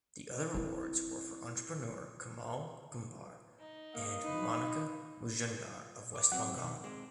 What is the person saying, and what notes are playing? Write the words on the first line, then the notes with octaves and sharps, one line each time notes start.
The other awards were for entrepreneur Kamal Kumbhar and Monika Majumdar of West Bengal.
C4 E4
D#4
A#3 F5 D#6
D#4 B4
D6
F#3 C4 F#5
B2 D#3
G#3 C4